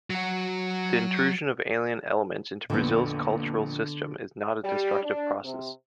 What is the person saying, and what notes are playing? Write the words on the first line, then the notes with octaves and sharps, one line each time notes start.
The intrusion of alien elements into Brazil's cultural system is not a destructive process.
F#3 F#4
A#1 F2 D3 B3
G3
D4
C3